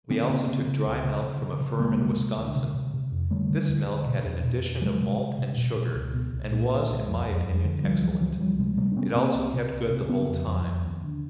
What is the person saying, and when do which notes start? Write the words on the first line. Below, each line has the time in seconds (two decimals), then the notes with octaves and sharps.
We also took dried milk from a firm in Wisconsin; this milk had an addition of malt and sugar, and was, in my opinion, excellent; it also kept good the whole time.
0.10 D3 B3 C#4
0.29 C#3 A#3 C4
0.48 C#3
0.67 C#3
0.86 C#2
1.04 C#3
1.23 C#3
1.42 C#3
1.61 C#3
1.80 D2 G#3 A#3
1.98 C3
2.18 C3
2.37 D2
2.56 C3
2.74 C3
2.93 C3
3.12 F2
3.30 D3 G3 A3
3.50 D3
3.68 D#2
3.88 D3
4.06 B2
4.25 E2
4.44 B2
4.63 E2
4.81 C3 F#3 G#3
5.00 C3
5.19 C3
5.38 C3
5.57 B2
5.76 B2
5.94 C#2
6.13 B2
6.32 C2
6.51 A#2
6.70 A#2
6.89 C2
7.08 F2
7.27 F2
7.46 F2
7.64 D3
7.83 C#2 F3 G3
8.02 C#2 E3 F#3
8.21 C#2 E3 F#3
8.40 C#2 F3 G3
8.59 C3 F#3 G#3
8.77 C3 G3 A3
8.92 D4
8.96 C3 B3 C#4
9.15 C3 A#3 C4
9.34 C2
9.53 C3
9.72 C2
9.90 C3
10.09 C#3 B3 C#4
10.28 F2
10.47 F2
10.66 F2
10.85 D#2
11.04 D3